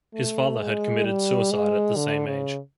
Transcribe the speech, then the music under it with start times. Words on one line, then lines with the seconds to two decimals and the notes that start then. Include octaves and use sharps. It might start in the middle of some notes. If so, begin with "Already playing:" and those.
His father had committed suicide at the same age.
0.14 A3
0.59 G#3
1.05 G3
1.51 G#3
1.96 D3
2.26 C#3